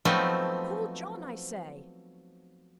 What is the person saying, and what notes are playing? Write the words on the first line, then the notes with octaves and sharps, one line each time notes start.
Call John, I say!'
F3 F#3 A3 B3 C4 D#4